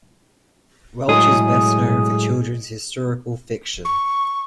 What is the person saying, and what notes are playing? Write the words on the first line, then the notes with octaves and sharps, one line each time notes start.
Welch is best known for children's historical fiction.
A2 F#3 G#3 G#4 D#6
C#6